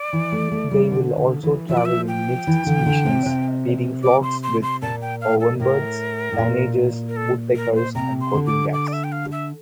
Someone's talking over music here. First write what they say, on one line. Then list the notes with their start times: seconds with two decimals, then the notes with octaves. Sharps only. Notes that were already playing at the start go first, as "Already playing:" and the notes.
They will also travel in mixed-species feeding flocks with ovenbirds, tanagers, woodpeckers and cotingas.
Already playing: D5
0.13 E3
0.32 A3
0.51 A3
0.71 G3
0.91 D3
1.17 D3
1.43 E3
1.69 F3 E5
1.77 D5
1.85 E5
2.08 G5
2.47 E3
2.67 D3
2.86 D3
3.06 C3
3.26 C3
4.03 D6
4.23 C6
4.43 C6
4.63 C6
4.82 A#2 A5
5.02 G5
5.21 F5
5.40 A4
5.60 A2 A#4
6.32 A2
6.38 A#2
7.09 A#4
7.17 A4
7.56 A#4
7.76 C5
7.95 C3 A#5
8.21 C6
8.34 D3
8.47 D6
8.73 D6
8.87 D5
8.93 E5
9.04 G5
9.12 F5
9.32 E5